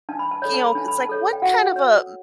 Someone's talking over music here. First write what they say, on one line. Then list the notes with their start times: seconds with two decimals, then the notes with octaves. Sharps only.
you know, it's like, what kind of a
0.09 D4 A5
0.19 B5
0.31 A5
0.42 A4 C#5 B5
0.54 A5
0.66 B5
0.75 D4 A5
0.88 B5
1.00 A5
1.09 A4 C#5
1.33 G5
1.42 F#4 F#5
1.76 C#5